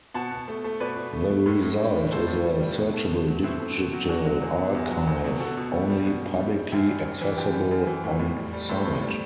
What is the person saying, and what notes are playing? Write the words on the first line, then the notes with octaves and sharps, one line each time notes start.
The result is a searchable digital archive, only publicly accessible on site.
B2 F#5 A5
B2
A3
A3
B2 B4 D5
B2
A3
A3
A2
A2
G3
G3
A2 A4 C5
A2
G3
G3
B2
A3
B2
F#3
B2 C4 E4
A3
B2
F#3
E2 D4 F#4
F#3
E2
B2
E2
F#3
E2
B2
B2 F#4 A4
B2
G3
G3
B2
B2
G3
G3
F#2 E4 G4
G3
F#2
E3
F#2 G4 B4
G3
F#2
E3
A2
A2
G3
G3
A2 A4 C5
A2
G3